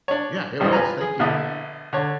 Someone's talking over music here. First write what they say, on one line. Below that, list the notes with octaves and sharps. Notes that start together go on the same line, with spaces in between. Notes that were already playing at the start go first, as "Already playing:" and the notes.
Yeah, it was, thank you.
D4 C#5
G#1 G2 E3 C5 D#5
F4 B4 G#5 A#5
G#4
A#1 B2 D3 E4 E5 D#6
D3 C#5